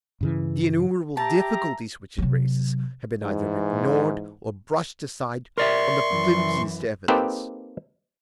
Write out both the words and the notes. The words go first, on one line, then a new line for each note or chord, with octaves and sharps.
The innumerable difficulties which it raises have been either ignored, or brushed aside on the flimsiest evidence.
G2 C#3 E3
G4 E5 A5 A#5
C3 F#3
G#2 E3
A#4 D5 E5 C6 C#6
F#2 E3
A#3 C4 D#4 G4 A4 B4